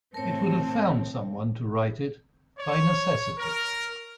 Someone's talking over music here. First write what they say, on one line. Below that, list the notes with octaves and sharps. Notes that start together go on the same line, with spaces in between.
It would have found someone to write it, by necessity.
A2 C4 A#4 C#5 A5
C#5
A#4